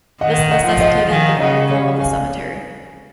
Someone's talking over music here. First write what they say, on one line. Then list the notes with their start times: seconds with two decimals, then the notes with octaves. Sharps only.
This necessitated the removal of the cemetery.
0.21 D#3 D#5 F#5
0.51 D#5 F#5
0.66 F3
0.81 D#5 F#5
1.11 D#3 F5 G#5
1.40 C#3 D#5 F#5
1.70 C#5 F5
2.00 F5 G#5